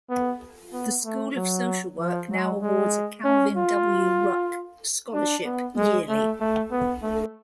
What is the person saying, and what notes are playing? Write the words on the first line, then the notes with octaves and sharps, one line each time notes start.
The School of Social Work now awards a Calvin W. Ruck scholarship yearly.
B3
B3
A3
F#3
F3
F#3
G#3
C#4
F4
D4
B3
G#3
A3
A3
B3
A3